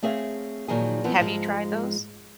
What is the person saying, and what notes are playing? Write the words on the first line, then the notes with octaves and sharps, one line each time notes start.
Have you tried those?
A3 C4 G#4 C#5 E5 F5
A#2 D#3 F3 F#3 D#4 G#4
E3 F3 B3 C4
G#2 F3 G#3